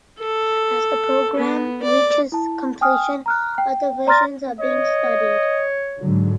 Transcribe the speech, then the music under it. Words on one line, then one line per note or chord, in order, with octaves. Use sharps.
As the programme reaches completion, other versions are being studied.
A4
B3
D5
E4 A5
G5 G#5 D#6 F6
A#5 F6 F#6
G5
D5 A#5 C6 F6 A6 A#6
C#5 D#5
G#2 D3 F#3